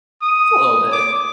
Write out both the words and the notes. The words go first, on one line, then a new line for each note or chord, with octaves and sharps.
A little bit.
D#6
D6